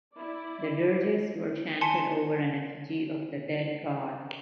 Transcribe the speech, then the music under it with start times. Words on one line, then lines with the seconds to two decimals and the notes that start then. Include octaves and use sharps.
The dirges were chanted over an effigy of the dead god.
0.15 E4 D5
1.81 G#5 A5 C6 C#7